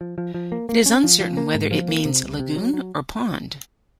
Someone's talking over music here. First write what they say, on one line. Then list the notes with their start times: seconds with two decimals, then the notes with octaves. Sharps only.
It is uncertain whether it means lagoon or pond.
0.01 F3
0.18 F3
0.34 F3
0.52 A#3
0.69 A#3
0.86 C#4
1.04 F3
1.20 F3
1.37 A#3
1.55 G#2
1.71 F3
1.88 A#3
2.05 C3
2.22 C2
2.39 C3
2.56 F#3
2.74 F#3